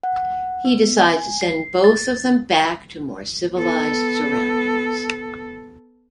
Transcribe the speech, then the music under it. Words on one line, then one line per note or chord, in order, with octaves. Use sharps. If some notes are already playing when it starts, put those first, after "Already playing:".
He decides to send both of them back to more civilized surroundings.
F#5
B3
G#5
C7
A6
B3 A4